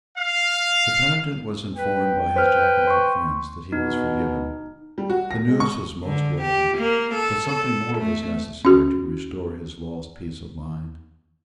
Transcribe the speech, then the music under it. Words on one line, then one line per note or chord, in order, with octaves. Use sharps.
The penitent was informed by his Jacobite friends that he was forgiven. The news was most welcome; but something more was necessary to restore his lost peace of mind.
F5
B4 G5
B4 C5 F6
C6 C#6
B2 D#4
G3
F#4
A#6
G#3
C#6
D3
G4
A#3
A4
A4
A3
C#4 F#4